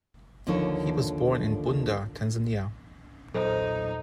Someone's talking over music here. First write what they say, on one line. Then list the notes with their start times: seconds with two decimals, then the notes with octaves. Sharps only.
He was born in Bunda, Tanzania.
0.47 D#2 D3 F3 D#4 A4 C#5
3.34 E2 A#2 F#3 D#4 A4 C5